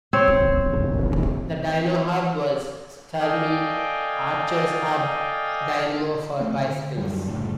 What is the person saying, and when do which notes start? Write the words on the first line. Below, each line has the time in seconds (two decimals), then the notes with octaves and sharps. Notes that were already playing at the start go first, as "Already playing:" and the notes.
The Dynohub was Sturmey-Archer's hub dynamo for bicycles.
0.13 C4 C5 C#5
3.20 A4 D5 D#5 F5 G5 G#5
6.41 A3 C4
6.56 D3
6.97 F#2 G3
7.27 F#1 A2 D3